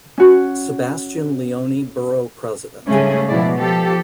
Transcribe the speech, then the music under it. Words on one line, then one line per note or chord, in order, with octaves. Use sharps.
Sebastian Leone Borough President.
C#4 F#4
G#2 C#3 G3 A3 C#4 G#4
B2 F3 E4 D5
F3 G4 A4